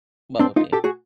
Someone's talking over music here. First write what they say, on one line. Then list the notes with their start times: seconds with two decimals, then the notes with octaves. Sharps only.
What would be?
0.40 C4 D4
0.56 D#4 F4
0.73 G4 A4
0.84 F#4 G#4